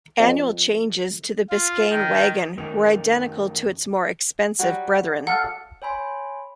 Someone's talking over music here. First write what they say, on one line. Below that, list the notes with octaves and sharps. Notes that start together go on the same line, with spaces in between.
Annual changes to the Biscayne wagon were identical to its more expensive bretheren.
F2
F4
D#3
F#2 D#3
F#3 G3 F#4
D4 A4 F5 F#5
C#5 G#5 B5 C6